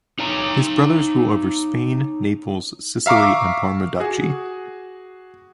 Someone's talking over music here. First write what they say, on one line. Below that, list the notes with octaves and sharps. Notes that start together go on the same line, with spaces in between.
His brothers rule over Spain, Naples, Sicily and Parma Duchy.
D#4 C#5 A#5
E5 F5 A#5 C#6 D6
F#4 G#4